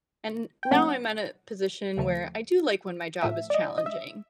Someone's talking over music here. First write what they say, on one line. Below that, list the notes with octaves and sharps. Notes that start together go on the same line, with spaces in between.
And now I'm at a position where I do like when my job is challenging,
G5
B2 F#3 A#3 C#4 F#5
D#2 C#3 F3 A3
A2 F3 A3 E5
D5
D#5
D#5
E5